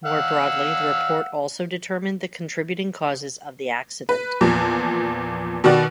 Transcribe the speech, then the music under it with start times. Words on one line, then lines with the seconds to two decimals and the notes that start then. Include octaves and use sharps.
More broadly, the report also determined the contributing causes of the accident.
0.05 F5 F#5 E6
4.09 B4
4.41 E2 A#2 F3
5.64 B2 D#3 F#4 D5